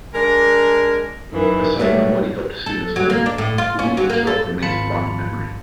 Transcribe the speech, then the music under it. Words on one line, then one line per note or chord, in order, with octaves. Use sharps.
Aside from what he helped students learn, Uli himself remains a fond memory.
G#3 D4 A#4
F#2 D#3 E3
B2 F#3 G3 A3
A4
F#3
A#3
D4
A2
F4
C#4
F#3
A#3
A4
G#1 F4 A5 B5 C#7